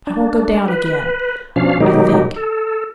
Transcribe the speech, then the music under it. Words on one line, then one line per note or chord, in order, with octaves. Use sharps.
I will go down again, I think!
D4
B4
B2 F3 C#4 D4 F5
B2 D#3 F#3 G#3 D#4 G4
A4